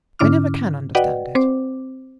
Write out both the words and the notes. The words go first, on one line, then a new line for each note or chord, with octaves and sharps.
I never can understand it.
G#2 D3 C#4 E4 D6 F6
F#4 B4 D5 D#5 F#5 G5
C4 C5 D6